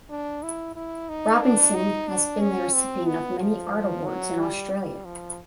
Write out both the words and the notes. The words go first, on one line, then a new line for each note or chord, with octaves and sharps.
Robinson has been the recipient of many art awards in Australia.
D4
E4
E4
D#4
D4
D#4
D4
C#4
C4
B3
F3
F#3
G3
G3
F3